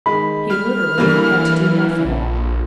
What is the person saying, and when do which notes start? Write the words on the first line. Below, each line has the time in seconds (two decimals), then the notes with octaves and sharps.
He literally had to do nothing.
0.06 D#3 G#3 B5
0.50 G3 F6
0.98 D3 E3 G3 A#3
2.05 A#1